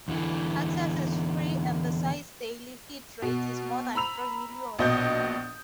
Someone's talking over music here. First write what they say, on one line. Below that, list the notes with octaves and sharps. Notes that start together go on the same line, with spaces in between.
Access is free and the site's daily hit rate is more than three million.
E2 D3 E3
B2
A#5 B5 E6 F7
A#1 B2 D#5 D#6 G6